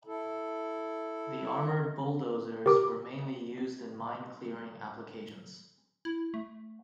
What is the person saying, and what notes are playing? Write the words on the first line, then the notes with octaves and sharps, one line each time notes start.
The armored bulldozers were mainly used in mine clearing applications.
E4 A4
G4 A#4 D6
E4
A3